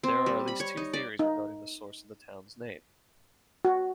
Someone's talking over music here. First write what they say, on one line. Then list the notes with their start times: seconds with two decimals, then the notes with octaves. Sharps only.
There are at least two theories regarding the source of the town's name.
0.03 C4
0.26 G3
0.48 B5
0.60 C#5
0.77 D#4
0.93 D5
1.19 D#4
3.65 F#4